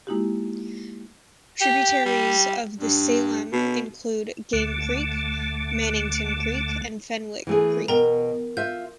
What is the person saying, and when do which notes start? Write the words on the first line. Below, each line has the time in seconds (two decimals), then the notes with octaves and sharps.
Tributaries of the Salem include Game Creek, Mannington Creek, and Fenwick Creek.
0.07 G#3 A#3 D#4 E4 F#4 G4
1.61 G4
2.06 G3
2.80 G2
3.53 B2
4.53 D2 D3 A3
7.47 E3 A3 G#4
7.88 B2 A#4 G5 A#5
8.57 F4 E5 G6